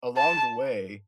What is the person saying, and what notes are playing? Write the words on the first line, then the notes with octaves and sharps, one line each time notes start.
along the way,
A5